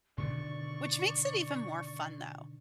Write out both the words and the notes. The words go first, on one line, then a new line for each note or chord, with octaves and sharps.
Which makes it even more fun though.
B2 D3 D#3 D5 C#6